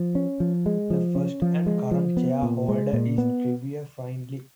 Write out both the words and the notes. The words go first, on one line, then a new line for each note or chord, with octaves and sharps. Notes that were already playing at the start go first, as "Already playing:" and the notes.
The first and current chair holder is Trevor Findlay.
Already playing: F3
C#4
F3
G#3
F3
C#4
F3
G#3
F3
B3
A#2
G#3
A#2
B3